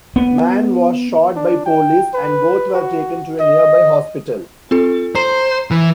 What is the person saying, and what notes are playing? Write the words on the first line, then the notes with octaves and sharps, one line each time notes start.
Mann was shot by police and both were taken to a nearby hospital.
B3
D4
G5
B4
F#4
D#5
C4 F4 A4
C5 A#5
E3